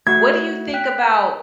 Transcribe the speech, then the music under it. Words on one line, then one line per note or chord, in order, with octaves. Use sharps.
What do you think about
A3 F#4 F#5 G#6
G5 F#6 B6